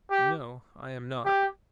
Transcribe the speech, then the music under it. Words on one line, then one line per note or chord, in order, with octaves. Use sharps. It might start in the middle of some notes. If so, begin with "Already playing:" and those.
"No, I am not."
G4
G4